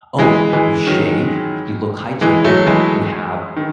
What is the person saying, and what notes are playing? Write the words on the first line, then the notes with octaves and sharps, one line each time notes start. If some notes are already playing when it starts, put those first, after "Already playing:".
"Oh, you shave, you look hygienic, you have"
E3 G#3
E3 G#3
D#3 F#3
E3 G#3
F#3 A3
E3 G#3
D#3